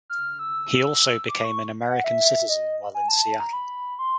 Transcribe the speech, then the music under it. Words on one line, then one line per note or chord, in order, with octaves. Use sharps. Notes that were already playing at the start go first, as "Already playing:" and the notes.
He also became an American citizen while in Seattle.
F6
E6
D6
D6
C#6
F#5
E5
D#5
G#5
A5
A#5
B5
C6